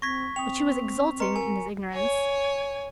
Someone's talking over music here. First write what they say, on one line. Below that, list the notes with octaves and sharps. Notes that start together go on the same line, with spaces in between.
But she was exulting in his ignorance.
C4 C#6 G#6 A#6 B6
C4 G5 D#6 F7
B4 D#5 A#5 C6 C#7
A#4 G#5
C#5 G#5